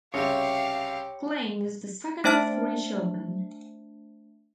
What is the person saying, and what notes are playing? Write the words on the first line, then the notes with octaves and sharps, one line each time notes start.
Klein was the second of three children.
C2 C#3 G4 C#5 F5
A3 D4 C5 E5 A5 F6